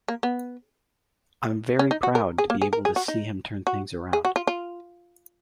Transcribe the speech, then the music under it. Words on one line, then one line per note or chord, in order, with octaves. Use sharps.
I'm very proud to be able to see him turn things around.
A#3
B3
C#4
D#4
F#4
A#4
G#4
A#3
G#4
A#4
G#4
F#4
D#4
F#4
G#4
F#4
F4
F4